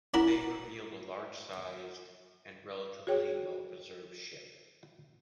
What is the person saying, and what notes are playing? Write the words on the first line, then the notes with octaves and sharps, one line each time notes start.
They revealed a large-sized and relatively well-preserved ship.
C#4 E4 F#4 A#4
F#4 G#4 C#5 G5